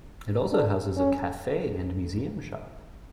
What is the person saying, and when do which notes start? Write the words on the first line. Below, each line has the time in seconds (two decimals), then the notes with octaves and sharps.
It also houses a cafe and museum shop.
0.51 D4
0.97 C#4